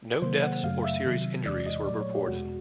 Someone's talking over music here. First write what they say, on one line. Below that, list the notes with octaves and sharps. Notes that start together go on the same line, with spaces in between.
No deaths or serious injuries were reported.
C3 D#3 F#3 A#3 C5
F#5
F#2 C#3 F#3 A3 F5
E5
C3 D#3 F#3
E2 C3 E3 G#3 D5
D#5
A#2 F#3 A3 D5
C#5
G4
E2 B2 G#3 F#4